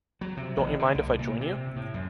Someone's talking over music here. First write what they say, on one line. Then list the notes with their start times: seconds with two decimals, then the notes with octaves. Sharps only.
Don't you mind if I join you?
0.21 F#3
0.37 C3
0.57 A1
0.79 D3
0.95 C2
1.19 A#2
1.41 C3
1.76 A2
1.94 F#2